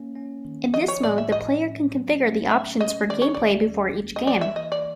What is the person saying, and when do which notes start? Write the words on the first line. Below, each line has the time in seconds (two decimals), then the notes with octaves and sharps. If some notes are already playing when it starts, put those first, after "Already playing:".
In this mode, the player can configure the options for gameplay before each game.
Already playing: A#3 C#4
0.16 C#4
0.45 D#3
0.73 F3 D#5
0.88 C#5
1.03 A2 D5
1.18 E5
1.32 A2 D#5
1.62 C#4
1.91 F#3
2.21 C#4
2.50 A3 E5
2.80 C#4 D#5
3.10 D#3 D5
3.22 C#5
3.34 D#2 D5
3.69 G3
3.98 A#3
4.16 D#5
4.27 E3 D5
4.41 E5
4.56 E3 D#5
4.72 D5